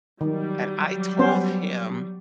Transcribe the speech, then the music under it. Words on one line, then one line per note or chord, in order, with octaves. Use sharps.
And I told him
D#3 F#3 G3
B3 C#4 C5